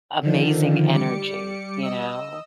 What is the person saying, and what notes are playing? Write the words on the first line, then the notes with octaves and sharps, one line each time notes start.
amazing energy, you know?
D3 D#3 F3
G3 D6 C#7
D#5 E6